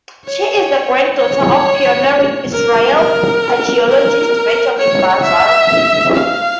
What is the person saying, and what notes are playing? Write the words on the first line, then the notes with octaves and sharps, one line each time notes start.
She is the granddaughter of pioneering Israeli archaeologist Benjamin Mazar.
C#5
C#5
A#4
A#4
A#4
C#5
E5
F5